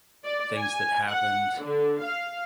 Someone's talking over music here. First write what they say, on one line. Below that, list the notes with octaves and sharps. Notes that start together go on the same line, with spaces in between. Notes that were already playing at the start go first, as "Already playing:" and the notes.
things that happened.
D5
G#5
F#5
D3
F5